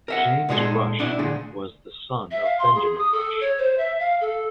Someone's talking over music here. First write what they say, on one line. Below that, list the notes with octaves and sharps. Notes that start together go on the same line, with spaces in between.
James Rush was the son of Benjamin Rush.
A#4 E5 F#5
A#2 G#3 D#4 F#4 G#4 A4
B2 D4 E4
A#2 D3 A3 G#4
E5
F5
C6
G#4
D#6
A4
C#5
C5
E5
F5
A4